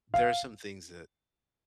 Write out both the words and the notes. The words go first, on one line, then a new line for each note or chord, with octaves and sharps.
there are some things that
F5